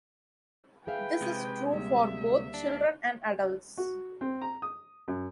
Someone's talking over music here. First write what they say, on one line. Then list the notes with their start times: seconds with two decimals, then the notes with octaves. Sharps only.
This is true for both children and adults.
0.87 G#4 B4 E5 F5 G5
1.22 C3 G#3
1.71 D2 G3 A#3 E5
2.54 D4
3.77 F#4
4.21 C4
4.41 A#5
4.62 D#6
5.08 F#2